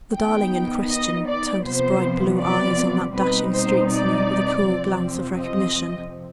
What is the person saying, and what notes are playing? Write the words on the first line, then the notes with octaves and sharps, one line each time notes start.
The darling in question turned his bright blue eyes on that dashing street-singer with a cool glance of recognition.
D#3 B3 D#4 G5
D#5
D5
C3 F3 B3 C5
D5
B2 G3 C4 D#4 B4
C5
D5
F2 C3 F3 C4
D#5